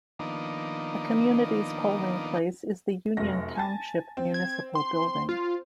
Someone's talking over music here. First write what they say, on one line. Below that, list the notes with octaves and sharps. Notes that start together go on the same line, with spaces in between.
The community's polling place is the Union Township Municipal Building.
D#3 F3 A#3 B3 D4 D#4
F1 F#2 A#6
G#5 A5 A6
C4
G#6
C6
F4